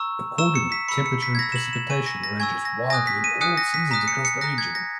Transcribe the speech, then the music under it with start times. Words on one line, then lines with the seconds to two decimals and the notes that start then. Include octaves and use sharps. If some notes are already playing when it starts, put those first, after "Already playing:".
Accordingly, temperature and precipitation ranges wildly in all seasons across the region.
Already playing: A#5 C#6 E6
0.38 A#5 C#6 E6 E7
0.55 C#7
0.72 B6
0.88 B5 E6 C#7
1.06 C#7
1.23 B6
1.35 G#6
1.39 B5 E6 A#6
1.52 E7
1.56 F#7
1.73 E7
1.89 G#5 C#6 E6 D#7
2.06 A#6
2.23 A#6
2.40 G#5 C#6 E6 G#6
2.65 A#6
2.90 G#5 D#6 F#6 A#6
3.07 B6
3.24 D#7
3.41 G#5 D#6 F#6 C#7
3.57 A#6
3.74 B6
3.91 A#5 D#6 F#6 B6
4.08 C#7
4.25 C#7
4.41 A#5 D#6 F#6 A#6
4.58 G#6
4.75 A#6